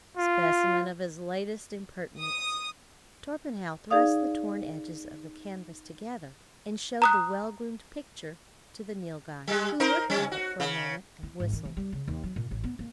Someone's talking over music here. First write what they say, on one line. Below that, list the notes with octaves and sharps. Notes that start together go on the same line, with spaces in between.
'Specimen of his latest impertinence.' Torpenhow thrust the torn edges of the canvas together and showed the well-groomed picture to the Nilghai, who looked at it for a moment and whistled.
F4
D#6
D#4 G#4 D5 F5 D#6
A#5 D#6 F#6
G3 G#3
D#4 A#4 C5
G3 C#4
F#4
C#3
E4
G#1
D#3
E3
G3
C#3
D#2
F#3
A#2
A1
B3
A#3